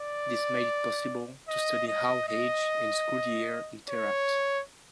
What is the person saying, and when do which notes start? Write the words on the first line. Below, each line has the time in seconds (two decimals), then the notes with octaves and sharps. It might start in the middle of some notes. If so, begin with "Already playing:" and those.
This made it possible to study how age and school year interact.
Already playing: D5
1.48 D#5
1.88 D#5
2.28 D#5
3.89 C#5